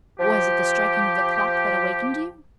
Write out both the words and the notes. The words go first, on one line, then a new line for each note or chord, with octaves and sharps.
"Was it the striking of the clock that awakened you?"
F3 G4